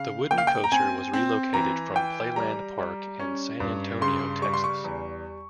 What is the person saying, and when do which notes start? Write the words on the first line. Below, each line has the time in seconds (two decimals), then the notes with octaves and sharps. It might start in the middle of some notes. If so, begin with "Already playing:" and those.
The wooden coaster was relocated from Playland Park in San Antonio, Texas.
Already playing: C#3 F5
0.31 A#3 G5
0.38 F5
0.47 G5
0.64 A#5
0.72 C4 G#5
1.13 C4
1.54 E3 A#5
1.96 E3 G5
2.36 G3 A#5
2.78 G3
3.19 C#4
3.60 G2
4.01 C#3 C6
4.42 G3 C#6
4.54 C6
4.64 C#6
4.84 E2